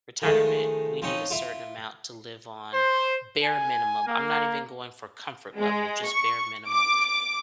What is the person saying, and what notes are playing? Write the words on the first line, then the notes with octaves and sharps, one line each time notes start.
retirement, we need a certain amount to live on bare minimum," I'm not even going for comfort level, just bare minimum.
D#3 F3 G#3 A3
F3 C4 C#4 D#4
E4 F4
C5
G#5
A#3
G#3
C#6
D6